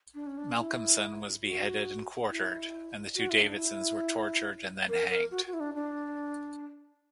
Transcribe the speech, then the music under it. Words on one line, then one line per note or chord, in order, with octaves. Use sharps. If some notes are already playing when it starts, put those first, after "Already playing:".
Malcolmson was beheaded and quartered and the two Davidsons were tortured and then hanged.
D4
C#4
D4
E4
F#4
E4
F#4
E4
D4
E4
A#4
A#4
F#4
F#4
E4
D4
D4